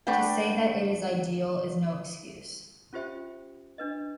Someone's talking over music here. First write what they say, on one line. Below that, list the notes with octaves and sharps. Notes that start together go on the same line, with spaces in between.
To say that it is ideal is no excuse.
A3 D4 B4 F#5 G5
C#4 F4 G4 C5 E5 G5
D4 B4 D#5